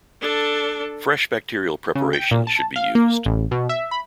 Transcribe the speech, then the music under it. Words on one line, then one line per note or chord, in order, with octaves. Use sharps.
Fresh bacterial preparations should be used.
D4 A4
C#3
G5
A#2
A5
F5
A#3
A1
B2
E5
B5